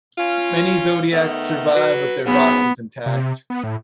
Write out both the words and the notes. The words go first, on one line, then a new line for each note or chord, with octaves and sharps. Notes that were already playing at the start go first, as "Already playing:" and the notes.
Many Zodiacs survive with their boxes intact.
C#4 F4
D#3 A3 B3
F#3 B4
G#2 C#3 F#3 B3
C3
B3
A2